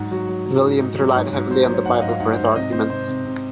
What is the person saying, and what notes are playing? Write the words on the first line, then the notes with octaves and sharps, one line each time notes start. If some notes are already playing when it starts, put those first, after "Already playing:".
Williams relied heavily on the Bible for his arguments.
Already playing: G#2 F#3 F#5
F#3 F#4
F#3
F#3
G#2
G#2 D#4
F#3
G#2 C#5
G#2
F#3 C5
C5
F#3
C#5
G#2 F#5
F5
G#2 D#5
F5
G#2 F#5
C5
G#2
C#5
C3 D#5
C3 C5
C3 C5
C3
C3